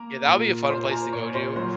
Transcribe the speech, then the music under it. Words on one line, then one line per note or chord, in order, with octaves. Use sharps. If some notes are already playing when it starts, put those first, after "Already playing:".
Yeah, that'll be a fun place to go to,
Already playing: A#3 A#4 A#5
A#2
A#3 C5 C6
G#5
A#4 A#5
A#2 C#5 C#6
C5 C6
F#3 C5 C6